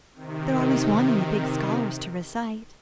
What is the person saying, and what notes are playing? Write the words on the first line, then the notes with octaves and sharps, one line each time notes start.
They're always wanting the big scholars to recite.
C3 D#3